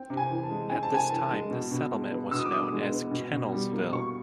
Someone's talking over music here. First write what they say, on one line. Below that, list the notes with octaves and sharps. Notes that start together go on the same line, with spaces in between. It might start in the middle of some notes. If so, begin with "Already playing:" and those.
At this time, the settlement was known as Kennelsville.
Already playing: C4 G5
C3
G#5
E3
A5
G#3
C4 G#5
A5
C3 G#5
E3 A5
G#3
B2
B2
G#3
B3
B2 E6
D#6
D6
B2 D#6
G#3
B3
B2
B2
G3
A#3
B2 C#6